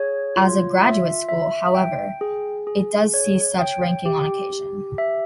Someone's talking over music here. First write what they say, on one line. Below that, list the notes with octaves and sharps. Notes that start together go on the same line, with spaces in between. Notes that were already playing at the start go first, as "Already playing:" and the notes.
As a graduate school, however, it does see such ranking on occasion.
Already playing: G#4 C#5
F4
E5
E5
G5
G#4
G#4
C#5
G5
G4
G4
E5